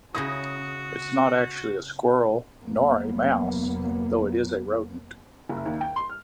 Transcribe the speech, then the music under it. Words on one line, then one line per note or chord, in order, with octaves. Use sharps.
It is not actually a :squirrel, nor a :mouse, though it is a rodent.
C#3 D#4 E4 F#4 D#6 A#6
F1 F#3 A#3 B3
F#1
D#2
G5
C6
F6